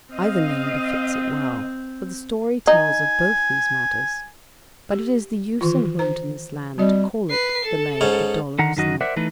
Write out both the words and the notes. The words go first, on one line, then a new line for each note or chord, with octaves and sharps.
Either name befits it well, for the story tells of both these matters, but it is the use and wont in this land to call it the Lay of the Dolorous Knight.
C4 D#5 F5
D#4 G#5
G4
D#3 E3 F4
C5 A#5
G3 C4 F#4 D#5
B4 C7
A4
G#2 C#4
D3 D#3 F#5 A#5
F#2 D#3 D#4 F#4 D#5
A#4 C5 D5 E5 F#5
E3 A3 D#4 B4